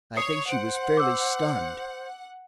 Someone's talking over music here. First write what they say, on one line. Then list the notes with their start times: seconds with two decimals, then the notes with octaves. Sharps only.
I think she was fairly stunned.
0.17 C#5 D#6 C7 C#7
0.49 C5 F#5 D7
0.97 D6 E6